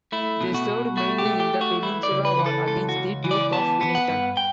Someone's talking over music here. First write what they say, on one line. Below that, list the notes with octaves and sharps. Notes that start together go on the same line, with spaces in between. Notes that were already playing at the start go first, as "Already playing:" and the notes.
They served mainly in the Peninsula War against the Duke of Wellington.
A3 E4
B2
F#4
B2
A3 F#4
G4
A3
G4
A3
F#4
E3 E4
D5
C#3
B4
E3
A4
C#2 A4
F#4
C#2
E3
D5
B3 A5
B3
F#5
G2
G5